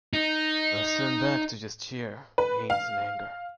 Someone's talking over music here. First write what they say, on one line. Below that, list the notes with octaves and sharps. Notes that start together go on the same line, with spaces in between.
It's turned back to just sheer hate and anger.
D#4
B4
F5